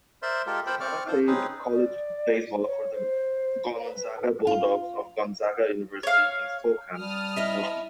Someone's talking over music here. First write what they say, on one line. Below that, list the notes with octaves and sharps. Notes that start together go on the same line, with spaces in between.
Sakata played college baseball for the Gonzaga Bulldogs of Gonzaga University in Spokane, Washington.
A#4 C5 D5 E5 C6
G#3 F4 G4 A4 A#4
A4 A#4 C5 G5 A5 B5
C4 D5 C#6 D6 F6
F4 A4 C5
C4 C#4 D#4 G#4 B4
D5
C#5
C5
B4
F4
C#5 F5
G3 A5 D#6 F6
E4 D#5 E5